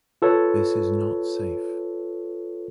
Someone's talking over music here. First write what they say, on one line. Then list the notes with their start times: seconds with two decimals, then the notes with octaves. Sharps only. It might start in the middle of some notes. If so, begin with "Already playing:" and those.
This is not safe.
0.22 F4 A4 B4 C#5